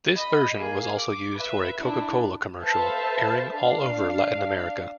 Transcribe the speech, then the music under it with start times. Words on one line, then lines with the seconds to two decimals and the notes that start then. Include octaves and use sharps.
This version was also used for a Coca-Cola commercial, airing all over Latin America.
0.15 D#5 B5
0.58 A#3 G#4
0.97 D6
1.35 B4 E5
1.78 D4 E4
2.62 A4 B4 C5 E5 F5 A5
3.53 D4 F5